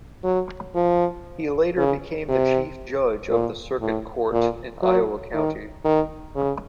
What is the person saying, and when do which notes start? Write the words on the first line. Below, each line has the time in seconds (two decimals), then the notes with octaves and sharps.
He later became the chief judge of the circuit court in Iowa County.
0.24 F#3
0.75 F3
1.77 C#3
2.29 C3
3.31 A#2
3.81 A2
4.33 A#2
4.83 F#3
5.34 D#3
5.85 D#3
6.36 C#3